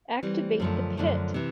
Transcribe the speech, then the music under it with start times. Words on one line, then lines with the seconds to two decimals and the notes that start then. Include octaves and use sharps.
Activate the pit!
0.23 E3 G3 C4
0.60 F#2 D3 F3 A3
0.97 F#2 D3 F3 A3
1.34 C3 E3